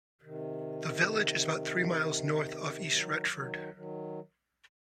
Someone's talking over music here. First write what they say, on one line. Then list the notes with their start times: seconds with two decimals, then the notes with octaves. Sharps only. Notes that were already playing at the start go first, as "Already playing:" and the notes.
The village is about three miles north of East Retford.
0.22 C3 D#3
2.86 D#3 F#3
3.30 D#3 F#3
3.73 D#3 F#3